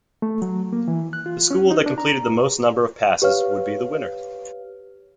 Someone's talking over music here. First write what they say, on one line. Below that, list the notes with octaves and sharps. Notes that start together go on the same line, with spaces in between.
The school that completed the most number of passes would be the winner.
A3
F#3
A#3
E3
F#6
F4
C#4
D#4
D4
A#5
G4 B4 C#5 F5 F6